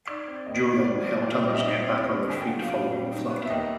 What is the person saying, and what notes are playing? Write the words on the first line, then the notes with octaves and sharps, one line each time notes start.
Jo then helped others get back on their feet following the flood.
D#4 D5
C4
D#2 D#5
D#5
D#3
D5
B3 D5
F#3
A#2 D5
D5
G3
D#5
E5
D#4 D#5
C4
D#2
D3
G#5
B3 G5
F#5
F#3
F5
A#2 F5
G3
D#4
B3
E5
D#2 D#5